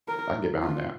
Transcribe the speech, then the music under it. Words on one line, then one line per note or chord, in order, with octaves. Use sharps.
I can get behind that."
A#4
F4